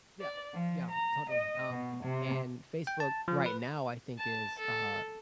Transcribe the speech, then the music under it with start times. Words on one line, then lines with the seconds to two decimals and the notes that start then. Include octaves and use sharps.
Yeah, yeah, totally, um, and Facebook right now I think is, uh
0.20 D5
0.53 F3
0.91 A#5
1.31 D#5
1.70 B2
2.02 C3
2.87 G5
3.00 A5
3.28 F3
3.46 B4
4.18 A5
4.58 A4